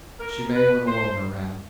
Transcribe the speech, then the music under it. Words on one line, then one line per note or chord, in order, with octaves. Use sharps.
She may want a woman around.
A#4
B4
C5